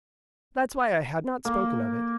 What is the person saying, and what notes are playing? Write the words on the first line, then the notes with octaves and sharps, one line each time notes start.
That's why I had not spoken of it.
A#3